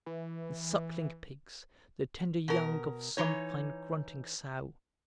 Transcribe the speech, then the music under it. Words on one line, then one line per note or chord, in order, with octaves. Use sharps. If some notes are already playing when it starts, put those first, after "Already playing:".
And suckling pigs, the tender young Of some fine grunting sow!
E3
B2 A#4
E3 D#4 C#5